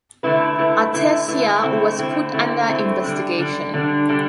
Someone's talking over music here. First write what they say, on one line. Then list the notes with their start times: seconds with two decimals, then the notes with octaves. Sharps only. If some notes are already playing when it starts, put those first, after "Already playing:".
Artesia was put under investigation.
0.23 D3 A3 E4 B4
0.58 D3 A3 E4 B4
0.93 D3 A3 E4 B4
1.28 D3 A3 E4 B4
1.63 D3 A3 C4 E4
1.98 D3 A3 C4 E4
2.33 D3 A3 C4 E4
2.68 D3 A3 C4 E4
3.03 D3 G3 D4
3.38 D3 G3 D4
3.74 D3 G3 D4
4.09 D3 G3 D4